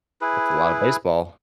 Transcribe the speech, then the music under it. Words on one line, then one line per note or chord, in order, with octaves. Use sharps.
That's a lotta baseball.
E4 G#4 B4